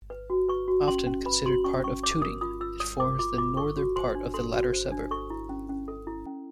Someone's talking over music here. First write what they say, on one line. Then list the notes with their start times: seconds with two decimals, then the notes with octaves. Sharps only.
Often considered part of Tooting, it forms the northern part of the latter suburb.
0.10 B4
0.30 F#4
0.49 B4 C#6
0.68 F#4
0.88 C#4 C6
1.07 C#4
1.26 B4 B5
1.46 F#4 C6
1.64 C#4 C#6
1.84 C#4 C#6
2.03 C#5 D6
2.22 A#4 D#6
2.41 F4 D#6
2.61 F4 E6
2.80 C#5 D#6
2.99 A#4 D6
3.19 F4 D6
3.38 F4 D6
3.57 A4 C#6
3.77 F#4
3.96 C5 C6
4.15 D4
4.34 A4 C6
4.53 F#4
4.73 C5
4.92 D4
5.11 A4 C#6
5.30 E4
5.49 C#4
5.69 C#4
5.88 A4
6.07 E4
6.26 C#4